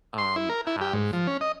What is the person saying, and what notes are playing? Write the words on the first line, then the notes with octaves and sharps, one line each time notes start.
um, have
C6
E4
A#4
E4
G4
G#2
F3
C#4
D#5